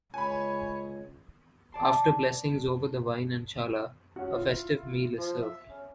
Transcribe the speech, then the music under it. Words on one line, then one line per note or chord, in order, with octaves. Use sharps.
After blessings over the wine and challah, a festive meal is served.
C#2 C#5 G#5 B5
D5 A5 C6
C#4 F#4
E4 F4
F3
E5
C#4